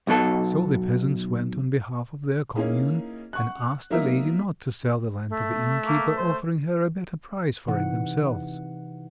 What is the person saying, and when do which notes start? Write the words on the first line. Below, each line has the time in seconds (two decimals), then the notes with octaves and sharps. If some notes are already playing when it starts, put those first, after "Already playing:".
So the peasants went on behalf of their Commune, and asked the lady not to sell the land to the innkeeper; offering her a better price for it themselves.
0.07 B1 B2 F#3 A4
2.56 A#3 C#4 D#4 E4 G#4
3.33 F#5 C#6 F#6
3.90 F#3 A#3 B3 D#4 A#4 E5
5.29 A3
5.86 A#3
6.17 C5
7.67 C3 E3 D#4 F#5